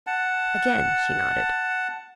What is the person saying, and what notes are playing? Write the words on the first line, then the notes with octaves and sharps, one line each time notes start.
Again she nodded.
F#5 A5